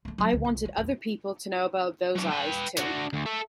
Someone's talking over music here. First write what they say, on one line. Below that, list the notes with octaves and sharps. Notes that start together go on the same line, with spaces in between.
I wanted other people to know about those eyes, too.
G#3 A3
F#3 D4
D2
C2
G#3
A#1 E2
F#3 D4
B4 G5
D4 F#4
D2
A4 E5